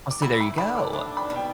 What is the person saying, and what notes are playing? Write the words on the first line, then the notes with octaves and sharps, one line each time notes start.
Oh see, there you go.
D6
E4 B5
B5
D3 B5
D6
D4 D6
B5
B2
G5